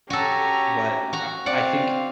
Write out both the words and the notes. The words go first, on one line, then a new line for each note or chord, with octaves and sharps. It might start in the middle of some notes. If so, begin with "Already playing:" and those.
but, I I think,
C#4 F#4 G4 A4 A#5
F#4 A#5
C4 D5 F5 F#5